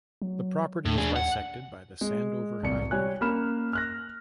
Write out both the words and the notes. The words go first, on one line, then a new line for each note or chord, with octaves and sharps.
The property is bisected by the Sandover Highway.
F#3
D#2 A2
D4 G#4
F#5
G#3
D1 C2 C#7
G3 C#5 G#5 F#6
A#3 C#4 B5 F6 E7
F6 F#6 A#6